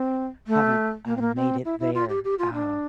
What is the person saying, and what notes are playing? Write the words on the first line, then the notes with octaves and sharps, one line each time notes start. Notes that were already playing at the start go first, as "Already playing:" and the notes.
haven't, uh, made it there, uh,
Already playing: C4
A3
A#3
C4
A#3
C4
E4
E4
F4
G4
G4
F4
D4